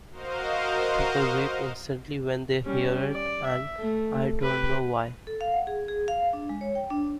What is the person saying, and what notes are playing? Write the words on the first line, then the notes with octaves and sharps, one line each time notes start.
People weep instantly when they hear it, and I don't know why.
F#4 A#4 C5 D#5 F5
G3 C#4
D5
E5
A3
G4 B4
A4
F5
F#5
G#4
G#4
F5
D4
G#3
C#5
G5
D4